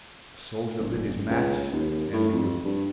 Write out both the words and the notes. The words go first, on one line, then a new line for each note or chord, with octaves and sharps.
The soldier lit his match, and drew.
F#1
C#2
C#2
D#2
A2
F2
G2